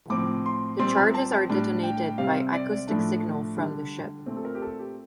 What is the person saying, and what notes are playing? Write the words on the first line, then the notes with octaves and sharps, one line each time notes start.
The charges are detonated by acoustic signal from the ship.
A2 F3 C4 D6
C6
A#2 G3 C4 C6
A#5
A5
A5
A2 G3 D4
G5
C3 G3 C4 F5
D5
D5
A2 F3 A3 D4
D3 G3 D4
A#2 A3 C4
A4
A#4
G4
A4
G4